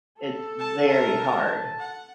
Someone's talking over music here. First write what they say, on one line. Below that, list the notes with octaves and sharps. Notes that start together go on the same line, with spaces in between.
it's very hard
A4
A5
A#4 E5 A5
F#5